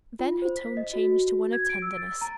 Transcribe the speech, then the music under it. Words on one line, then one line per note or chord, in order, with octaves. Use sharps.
Then her tone changed to one of tenderness.
F4
C5
B6
D#5
F#4
G#6
D7
E6
A6
A#5